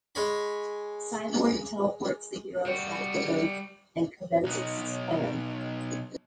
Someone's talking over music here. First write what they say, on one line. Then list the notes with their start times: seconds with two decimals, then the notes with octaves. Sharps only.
Cyborg teleports the heroes back to Earth and commences his plan.
0.15 G#3 C#5 B5
2.66 G3 F#4
4.44 B1 D#4